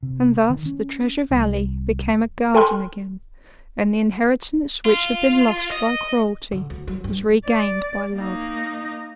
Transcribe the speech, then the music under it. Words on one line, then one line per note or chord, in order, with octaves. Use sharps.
And thus the Treasure Valley became a garden again, and the inheritance which had been lost by cruelty was regained by love.
C3
D#3
C#4
C2
A4 G5 G#5 B5 C6 F6
F4
D#5
D3
D2
F#3
G2
D5
A#3 D#4